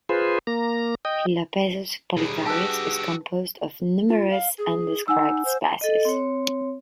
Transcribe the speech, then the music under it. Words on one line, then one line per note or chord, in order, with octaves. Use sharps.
"Phyllopezus pollicaris" is composed of numerous undescribed species.
F4 G#4 B4 C5
A#3 A#5
D#5 G5
D#2 B2 G3 D4 G#4
F#4 G4 B4 A5 E6
F4
F5
G#4
D#4 F#5 G#5 E6
C5
A4 D#5
C4 C#5